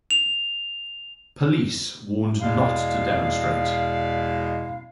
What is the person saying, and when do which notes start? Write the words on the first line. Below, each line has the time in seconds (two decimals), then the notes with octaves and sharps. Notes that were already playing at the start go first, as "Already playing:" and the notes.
Police warned not to demonstrate.
0.11 F7
2.41 E2 B2 G#3 E4 D5 F5